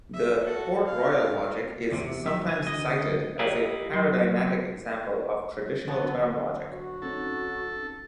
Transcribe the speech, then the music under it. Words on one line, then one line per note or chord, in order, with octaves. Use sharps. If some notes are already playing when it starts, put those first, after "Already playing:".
The "Port-Royal Logic" is sometimes cited as a paradigmatic example of traditional term logic.
E5
F#4 A4
F5
E2 C3
B1 E5
E3 G#5
D2 D#5
E4 G4 A#4 B4 D#5 F5
F#3 C6
D3 F#3 B3
F#4
C4 C#4 D#4 A4